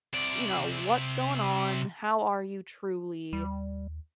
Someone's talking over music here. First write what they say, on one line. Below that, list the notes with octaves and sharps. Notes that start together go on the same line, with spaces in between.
you know, "What's going on? How are you truly?"
C3 D5
D#2 G3